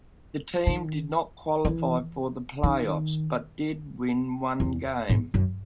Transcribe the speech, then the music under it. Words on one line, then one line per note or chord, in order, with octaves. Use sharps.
The team did not qualify for the playoffs but did win one game.
D#3
E3
D#3
E2
G#2
F#2